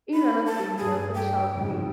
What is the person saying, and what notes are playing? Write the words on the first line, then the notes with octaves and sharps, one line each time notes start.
In one of these, Nielsen shouts, Hey!
B5
A5
G2 G#4
G5
F2 G#2 C#3